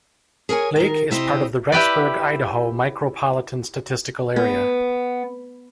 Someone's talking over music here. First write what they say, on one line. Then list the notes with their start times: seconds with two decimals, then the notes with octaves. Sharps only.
Lake is part of the Rexburg, Idaho Micropolitan Statistical Area.
0.49 G#4 A#4 C#5 G#5
0.76 D#3 A#4
1.11 C3 E4 G4 C5 D#5
1.72 E4 G4 B4 D5
4.36 B3